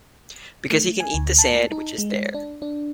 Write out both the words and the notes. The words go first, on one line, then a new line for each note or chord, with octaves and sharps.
Because he can eat the sand which is there.
A3
G#5
D2
A5
D#4
G#3
D4
D4